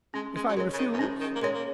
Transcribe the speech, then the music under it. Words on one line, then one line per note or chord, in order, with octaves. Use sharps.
"If I refuse?"
G#3 C#4
G#3
F#3
G#3 A#4 C#5
C#3
D#3
F#2
G#2 C#4
D#3
A#3
G#3 A#4 C#5
A#3